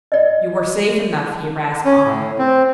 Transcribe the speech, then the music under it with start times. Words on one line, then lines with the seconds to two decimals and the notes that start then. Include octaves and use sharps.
"You were safe enough," he rasped on.
0.12 D5 D#5
1.85 C#4
2.04 A2
2.38 C4